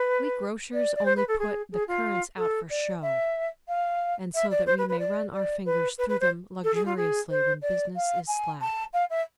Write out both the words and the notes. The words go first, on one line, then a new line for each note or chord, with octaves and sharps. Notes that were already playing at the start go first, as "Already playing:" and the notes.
We grocers only put the currants out for show, and so that we may run our fingers through them luxuriously when business is slack.
Already playing: B4
D5
D5
C5
B4
A4
G#4
G#4
F4
A4
D5
E5
F5
E5
D5
C5
B4
B4
D5
D5
B4
B4
B4
C5
A4
G#4
F4
G#4
C5
D5
F5
G#5
A5
F5
E5